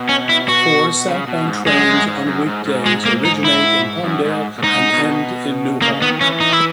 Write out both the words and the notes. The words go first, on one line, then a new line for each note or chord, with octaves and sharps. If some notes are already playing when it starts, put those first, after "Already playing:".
Four southbound trains on weekdays originate in Palmdale and end in Newhall.
Already playing: B2
C#4
E4
F#4
C#3
B2
G#2
F#2 G#3
F#2
G#2
F#2
G#2
G#2
G#3
A#3
D#4
E4
F#2
G#2
A#2
G#2 D#4
B2
C#3 A#3
D#3 B3
E3 C#4
D#4
E4